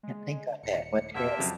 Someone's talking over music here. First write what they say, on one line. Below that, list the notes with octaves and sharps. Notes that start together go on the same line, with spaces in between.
Can't think of it, what it is.
G#3
D#1 C#7
E1 C3 A#3 E5 F#5 A5
F2 C#3 F#3